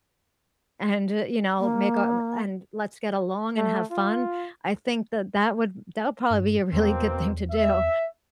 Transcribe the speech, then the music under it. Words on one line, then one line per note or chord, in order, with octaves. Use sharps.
and, you know, make a and let's get along and have fun, I think that that would that would probably be a really good thing to do.
A#3
A3
F4
G2
E2 B2 A#3 C4
E5